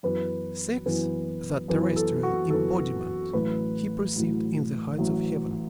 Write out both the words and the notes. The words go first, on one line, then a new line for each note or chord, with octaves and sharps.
Sex, that terrestrial embodiment, he perceived in the heights of heaven.
F#2 E3 B3 B4
F#2 E3 B3
F#2 E3 B3
A4
F#4
F#2 E3 B3 A4
A1 A2 F#3 B4
A1 A2 F#3
A1 A2 F#3